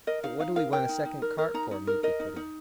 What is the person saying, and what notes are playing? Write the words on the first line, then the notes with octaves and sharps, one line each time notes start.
"But what do we want a second cart for?" Mitya put in.
A#4 D#5
D#4 F5
D#4 F5
A#4 F5
A#4 G5
D#4
D#4
A#4
A#4
D#4 A#5
D#4
A#4
A#4 D#5
D#4
D#4